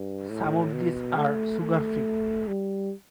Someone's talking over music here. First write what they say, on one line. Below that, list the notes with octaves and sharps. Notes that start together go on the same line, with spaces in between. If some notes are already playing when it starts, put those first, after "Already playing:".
Some of these are sugar free.
Already playing: G2
A2
B2
A3
A3
G3